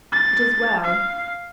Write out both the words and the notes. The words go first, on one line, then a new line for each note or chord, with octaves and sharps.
It is well.
A6
F5